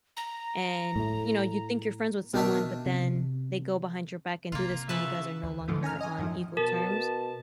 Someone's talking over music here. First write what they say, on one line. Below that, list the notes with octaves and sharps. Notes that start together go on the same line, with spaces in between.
and, you know, you think you're friends with someone, but then they go behind your back and do this when you guys are no longer on equal terms.
A#5
A2 A3
B2 D#3 D4 E5
C3
C3 A#3 F4
C#3 F4 B4 E5 A5
D2
G#2 D3 E3 F3 A3
C#4 G#5 A#5 F6
D#5 G#5
F#2 A2 D#3 F3
B2 A#4 A5